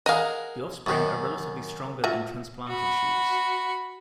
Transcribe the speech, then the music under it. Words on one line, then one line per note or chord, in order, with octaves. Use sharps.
The offspring are relatively stronger than transplanted shoots.
G#4 A#4 D#5 F5 F#5
F#2 D#3
F4 F#4 E5
F#4 B5